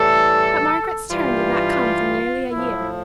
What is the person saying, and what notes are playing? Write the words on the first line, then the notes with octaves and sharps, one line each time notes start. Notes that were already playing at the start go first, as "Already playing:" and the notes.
But Margaret's turn did not come for nearly a year.
Already playing: A2 E3 G3 A4
G2 E3 G3 F4
A2 F3 E4